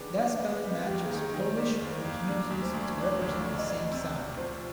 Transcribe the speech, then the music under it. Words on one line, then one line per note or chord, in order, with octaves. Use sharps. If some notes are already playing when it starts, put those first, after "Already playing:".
That spelling matches Polish, which uses to represent the same sound.
Already playing: D#3 B3 D4 G#4
D4
B3
G3
D#2 G4
G#4
D#3
G#4
D#3
C5
G3 D5
D#2
D#2
D4 D5
D2
C5
D2
D4 D5
D2
D3
D#5
D2 D5
C3
C3
F3 C5